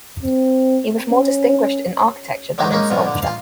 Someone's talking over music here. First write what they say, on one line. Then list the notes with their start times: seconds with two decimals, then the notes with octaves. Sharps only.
He was more distinguished in architecture than in sculpture.
0.23 C4
1.10 C#4
2.58 D3 F#3 G#3 A3 D#4
2.71 G#3 A#3 C#4 D#4
2.90 C2 G2 B2 F3
3.07 D3
3.22 F4 F5